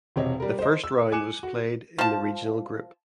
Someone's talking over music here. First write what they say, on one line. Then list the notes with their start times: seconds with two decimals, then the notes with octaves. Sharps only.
The first round was played in the regional group.
0.16 E1 C3 C4 C#5 D#5
0.40 G3 A#4
0.59 C5 D#5
0.84 E6
1.12 G#5 D6 F#6 C#7 E7
1.43 F#4
1.98 F3 A5